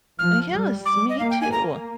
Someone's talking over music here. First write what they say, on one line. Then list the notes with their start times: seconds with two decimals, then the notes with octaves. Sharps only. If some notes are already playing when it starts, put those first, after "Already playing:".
Ah, yes, me too.
0.19 F3 F6
0.53 G3
0.86 D6
1.09 D#5
1.19 A#3 F5
1.31 G5
1.41 G#5
1.52 A#3 A#5